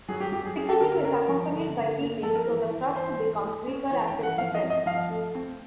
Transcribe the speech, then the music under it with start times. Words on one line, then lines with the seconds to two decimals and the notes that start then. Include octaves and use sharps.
Thickening is accompanied by heating, so the crust becomes weaker as it thickens.
0.08 F#3 G#4
0.20 G4
0.32 F#3 G4
0.45 G#4
0.56 C#4 G#4
0.69 A4
0.81 D3 A#4
0.92 A#4
1.03 C#4 A#4
1.28 F3
1.52 D3
1.75 D3
2.00 A#3
2.23 F3 A4
2.35 A#4
2.48 E3
2.71 E3
2.95 E3 C5
3.19 A3
3.43 A3
3.66 C#4
3.91 E3 C#5
4.07 G5
4.14 E3
4.23 F#5
4.38 F3 F5
4.54 D#5
4.63 C4
4.70 D#5
4.86 F3 F5
5.10 A3
5.35 C4